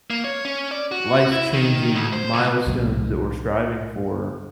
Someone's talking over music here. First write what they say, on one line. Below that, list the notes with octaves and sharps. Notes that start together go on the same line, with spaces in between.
life-changing milestones that we're striving for,
A#3
C#5
C#4
D5
F#4
E4
D#3
D2
C5
C#2
C2 F2 A#2